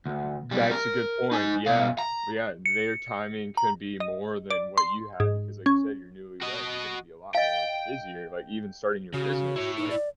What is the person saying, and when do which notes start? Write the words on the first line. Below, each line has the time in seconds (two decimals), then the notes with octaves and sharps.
Th that's a good point, yeah, yeah, their timing could be more than what you have because like you said, you're newlywed, you're gonna be a lot more busier, like, even starting your business, like,
0.06 D2
0.51 B1 G3
0.71 A#4
1.32 D#4 G#5
1.66 B2 F5
1.99 A#5
2.66 C#7
3.57 A#5
4.00 D#5
4.50 D5
4.78 C6
5.20 G#2
5.66 C#4
6.42 F#4 D#5
7.35 D#5 F5 G5
9.14 C#3 F#4
9.56 E4 C#5
9.77 D#4
9.90 D5